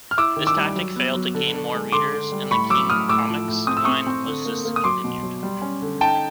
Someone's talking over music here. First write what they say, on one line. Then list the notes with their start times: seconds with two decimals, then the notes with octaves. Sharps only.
This tactic failed to gain more readers, and the King Comics line was discontinued.
0.11 F6
0.18 E4 D6 E6
0.37 D#3
0.47 D6 E6
0.57 G3
0.76 F#3
0.96 B3
1.15 F#3
1.35 D3
1.54 D3
1.74 G#3
1.92 D3 C6 D6
2.13 D3
2.32 G3
2.51 A2 B5 C#6
2.70 F#3 D6 E6
2.90 A2 D#6 F6
3.09 A2 D6 E6
3.29 F3
3.48 A2
3.67 C4 D#6
3.77 E6
3.85 C4 C#6 D#6
4.07 C4
4.26 D3
4.46 A#3
4.65 A#3
4.76 D#6
4.84 F#3 C6 D6
5.04 B2
5.23 F#3
5.43 G3
5.62 C#4
5.82 D3
6.01 D#4 G5 A5